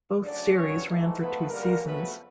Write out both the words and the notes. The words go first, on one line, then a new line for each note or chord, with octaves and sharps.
Both series ran for two seasons.
D2 C#3 F#3 D4 D5
G2 D3 F#3 C#4 C#5
G#2 E3 A3
G#2 F3 A3 B3 B4
F#2 D3 G3 A#3 A#4
F2 C#3 F#3 A3 B3 B4